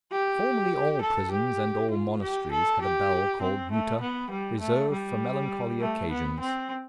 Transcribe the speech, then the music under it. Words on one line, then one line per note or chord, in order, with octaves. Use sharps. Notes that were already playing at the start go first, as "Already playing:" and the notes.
Formerly all prisons and all monasteries had a bell called Muta, reserved for melancholy occasions.
G4
A4
G4
F4
G4
A4
G4
C4
A3
B3
G3
A3
G3
A3
B3
C4